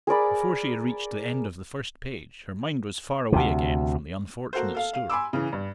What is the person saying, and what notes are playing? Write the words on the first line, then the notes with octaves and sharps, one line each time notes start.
Before she had reached the end of the first page, her mind was far away again from the unfortunate story.
G#4 A#4 D5 B5
D2 C3
A#3 F#4 A4 C5
A4 F5
F5
G#5 B5 C6 D6 E6
C#3 E3
G2